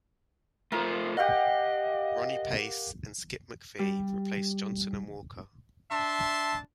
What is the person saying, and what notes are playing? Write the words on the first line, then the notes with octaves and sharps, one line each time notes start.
Ronnie Pace and Skip McPhee replaced Johnson and Walker.
A3 F4 A#4 C5
G4 D#5 F5 F#5
G3
D4 E5 A5 C6